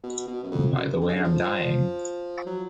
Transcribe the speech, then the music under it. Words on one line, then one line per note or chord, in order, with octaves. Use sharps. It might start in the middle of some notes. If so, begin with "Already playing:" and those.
By the way I’m dying.
B2
B2
F#2
F2
F#2
F#2
D3
C#3
D3
F3
F#3